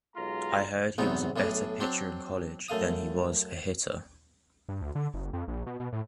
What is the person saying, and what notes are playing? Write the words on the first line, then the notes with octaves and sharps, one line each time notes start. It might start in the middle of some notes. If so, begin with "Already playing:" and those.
I heard he was a better pitcher in college than he was a hitter.
B1 G#3 F4 A#5
E2 G#2 C3 F#3 B3 D#4
B1 A2 D4 G#4
F#3 C4 D4 C6
F#2 A3 F5 D#6
G2
D2
D3
F#1
F2
A#1
B2
B2
A2